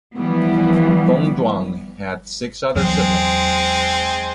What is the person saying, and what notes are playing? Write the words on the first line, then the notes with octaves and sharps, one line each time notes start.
Thongduang had six other siblings.
E3 F3 G3 B3
E2 F#3 G#3 C4